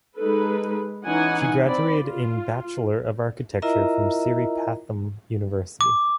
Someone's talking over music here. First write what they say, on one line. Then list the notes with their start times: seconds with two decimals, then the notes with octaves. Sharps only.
She graduated in Bachelor of Architecture from Sri Pathum University.
0.17 G#3 D#4 A4 B4
1.05 E3 C#4 D#4 F#5 G#5
1.65 C4 D5 B5
2.03 F4
3.62 E4 F4 A#4 D#5 E5 A#5
5.81 D6